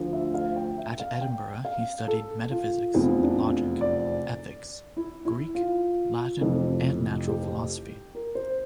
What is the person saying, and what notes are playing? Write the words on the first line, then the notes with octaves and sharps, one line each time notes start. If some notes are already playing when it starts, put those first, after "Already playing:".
At Edinburgh he studied metaphysics, Logic, Ethics, Greek, Latin and Natural Philosophy.
Already playing: D2 D3 F3
E5
F5
G5
E5
F5
G5
F5
A4
F4
F1 E2 C3 F3 E4
D4
D5
E4
E4
F4
F1 F2 C3 E3
G4
A#4
C5